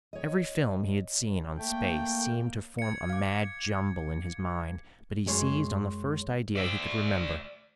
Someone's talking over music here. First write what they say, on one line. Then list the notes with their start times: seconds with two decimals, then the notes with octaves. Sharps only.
Every film he had seen on space seemed to form a mad jumble in his mind, but he seized on the first idea he could remember.
0.13 C#5 D#5
1.59 A3 A#3 G5
2.79 G#6 C#7
3.10 F5 D6
5.26 F#2 G#3 C#5 C6
6.56 D5 E5